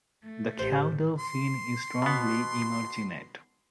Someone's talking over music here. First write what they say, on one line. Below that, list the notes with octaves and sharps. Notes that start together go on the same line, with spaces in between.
The caudal fin is strongly emarginate.
A3
A1 G4 C5
C6
B2 B3